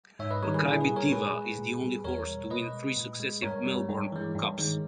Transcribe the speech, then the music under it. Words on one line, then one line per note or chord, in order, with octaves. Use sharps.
Makybe Diva is the only horse to win three successive Melbourne Cups.
G#2 C#5 E5
B4 D#5
D#3 G3 A#4 C#5
G#4 B4
A#2 E4 G#4
G#4 B4
G3
A#4 C#5
A#2 G#4 B4
G#3
A#2
G3
E2 A#4 C#5
B2 G3
B2 B4 D#5
G#3
A#2
G#3
G2 A#4 C#5
G3
G2
E3 G#3
G2
D#3 G#3